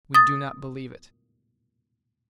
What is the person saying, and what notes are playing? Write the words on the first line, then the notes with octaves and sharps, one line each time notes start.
We do not believe it.
D#6 A6